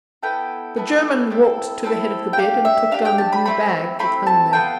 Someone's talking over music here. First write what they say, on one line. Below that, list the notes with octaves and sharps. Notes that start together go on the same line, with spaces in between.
The German walked to the head of the bed and took down a blue bag that hung there.
B3 E4 A4 G5
B3 E4 A4
C4 E4 A4
C4 E4 A4
G5
D4 G4 F5
E5
D4 G4 F5
G5
A5
B5
A3 C4 E4 B5
A3 C4 E4 B5
A5
B3 F4 A4 G5